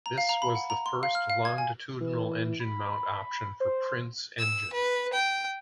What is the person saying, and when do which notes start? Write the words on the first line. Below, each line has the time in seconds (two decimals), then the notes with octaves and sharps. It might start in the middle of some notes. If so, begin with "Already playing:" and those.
This was the first longitudinal engine mount option for Prince engine.
0.06 A#5
0.18 F5
0.29 A#5
0.42 B5
0.55 F#5
0.70 A#5
0.86 C6
1.03 F5
1.15 F6
1.30 F5
1.45 G#6
1.58 G#5
2.00 E3
2.60 B5
3.60 C5
4.39 E6
4.73 B4
5.13 G5